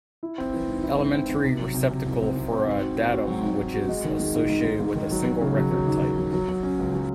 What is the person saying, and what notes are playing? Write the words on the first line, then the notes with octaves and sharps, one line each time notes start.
Elementary receptacle for a datum which is associated with a single Record Type.
E4
C4
E3
G#2
E4
G#2
C4
G#2
C3
F#3
C3
C3
C2
C4
C3
C4
G#2
F#4
C4
F#4
F#3
G#2
G#2
F#4
G#3
D#3
G#3
G#2
G#2
G#2
G#2
D#3
F#3
F#3
C#3
F#3
F#3
D#2
D#2
F#3
F#3
F#3
C#4
C#2
F#3